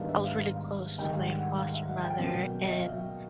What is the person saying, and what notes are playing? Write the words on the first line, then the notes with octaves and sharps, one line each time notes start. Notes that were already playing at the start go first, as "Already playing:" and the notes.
I was really close to my foster mother, and,
Already playing: G#2 D#3 G3 B3 D4 F5
E5
F5
F5
G#2 D#3 G3 G5
F5
F#5
F#5
F5
E5
F#5
G5
B2 F#3 A#3 C#4
D#5
E5
F5